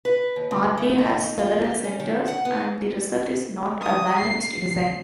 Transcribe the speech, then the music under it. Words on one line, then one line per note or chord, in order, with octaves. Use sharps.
Mardi has several centers, and the result is not a balanced design.
B4
D#2
D2
A3
D#4
F4
G4
C#4
D#3
F#5
B3
D#6
C7